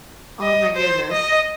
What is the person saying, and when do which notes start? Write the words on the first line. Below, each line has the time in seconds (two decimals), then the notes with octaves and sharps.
Oh my goodness.
0.42 D#5
0.76 C5
1.11 D#5